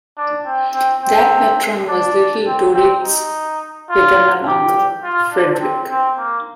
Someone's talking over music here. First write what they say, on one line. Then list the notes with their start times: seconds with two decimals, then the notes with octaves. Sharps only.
That patron was Little Dorrit's paternal uncle, Frederick.
0.17 D4
0.46 C4
0.74 C4
1.03 C4
1.88 D4
2.46 C4
2.74 C4
3.02 D#4
3.89 F4
4.47 G4
5.03 F4
5.32 D4
5.60 C4
5.90 C4
6.18 A#3